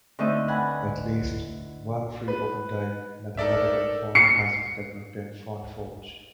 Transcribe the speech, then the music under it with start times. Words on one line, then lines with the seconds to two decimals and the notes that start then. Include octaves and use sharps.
At least one free OpenType mathematical font has been developed in FontForge.
0.19 D3 A3 C4 D#4 E5 D#6
0.48 B4 F#5 G#5 A5 B5
2.28 B4
3.37 D#4 A4 A#4 D5 E5
4.15 C7 C#7